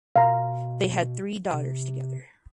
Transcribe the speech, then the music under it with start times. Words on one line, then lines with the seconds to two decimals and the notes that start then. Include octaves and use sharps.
They had three daughters together.
0.16 B2 F5 A#5
1.53 C3